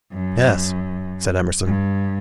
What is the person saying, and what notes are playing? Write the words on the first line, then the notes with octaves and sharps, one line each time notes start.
"Yes," said Emerson.
F#2
G2